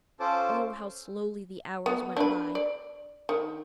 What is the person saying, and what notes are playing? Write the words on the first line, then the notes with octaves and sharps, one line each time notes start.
Oh, how slowly the hours went by!
C#4 F4 A4 C5 A5 D6
B3
D4 B4
D5
D#3